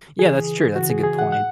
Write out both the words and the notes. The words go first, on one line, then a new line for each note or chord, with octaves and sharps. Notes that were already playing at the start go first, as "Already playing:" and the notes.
Yeah, that's true. That's a good point.
C#3 E3 G#4
C#3 E3 F#4
G#4
G#4
F#5
A2 F#5